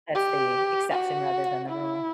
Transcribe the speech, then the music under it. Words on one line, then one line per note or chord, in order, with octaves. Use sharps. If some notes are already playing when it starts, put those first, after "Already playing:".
that's the exception rather than the rule.
G4
F#4
E4